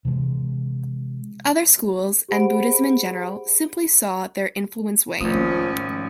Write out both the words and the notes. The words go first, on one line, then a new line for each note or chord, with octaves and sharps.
Other schools, and Buddhism in general, simply saw their influence wane.
C3 E3 G#3
G4 G#4 C5 F#5 B5 D7
G#1 F3 A3 C#4 D#6